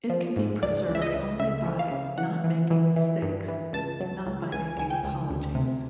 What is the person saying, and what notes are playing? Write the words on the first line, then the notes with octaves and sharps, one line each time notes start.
It can be preserved only by not making mistakes, not by making apologies.
F3
G#2
C#2 D5
C#2
E5
D#5
C#2
C#3 E5
F3
F5
C#3
E3 F#5
E3
E3
E3
G2
E3
C#2 A5
F#3
C#2
C#2 G#5
C#2 G#5
G5
C#2
D2
C3